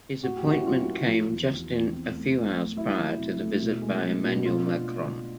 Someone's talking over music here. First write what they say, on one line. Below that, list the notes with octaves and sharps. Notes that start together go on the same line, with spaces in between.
His appointment came in just few hours prior to the visit by Emmanuel Macron.
A2 F#4
G4
C#4
E4 F#4
F#3 F4
F#4
A#3 F4
F3
E2
E2
E2
C4
A3
A3
A3
F#3 E4
F#3
C3
A3
B2
G#3
G#3
B2
B2 F4
D4